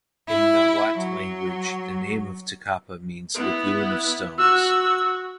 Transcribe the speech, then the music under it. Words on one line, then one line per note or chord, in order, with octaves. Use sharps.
In nahuat language the name of Tecapa means Lagoon of stones.
E4
F#3
B3 E4
F#4 E6